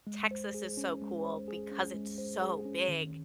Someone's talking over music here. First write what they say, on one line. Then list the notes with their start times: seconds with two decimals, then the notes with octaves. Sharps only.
Texas is so cool, because it's so big
0.07 G#3
0.31 C5
0.54 G#4
0.77 C#4
1.02 G#3
1.25 C5
1.48 G#4
1.72 C#4
1.94 G#3
2.18 C5
2.42 G#4
2.65 C#4
2.88 D#3